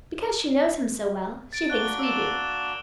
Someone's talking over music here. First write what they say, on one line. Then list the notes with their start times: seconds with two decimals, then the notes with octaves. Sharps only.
"Because she knows him so well, she thinks we do."
1.53 A6 D7
1.70 A#3 D4 F#4 F#6 G7
1.99 E6 E7